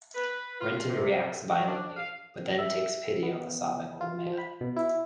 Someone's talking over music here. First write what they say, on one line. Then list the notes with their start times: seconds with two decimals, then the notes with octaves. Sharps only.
Renton reacts violently, but then takes pity on the sobbing old man.
0.15 B4
0.61 F4
0.89 C3
1.50 F#4
1.67 D4
1.97 F5
2.58 E5
3.23 B3
4.01 F4
4.26 F3
4.38 B5
4.61 B2
4.77 E4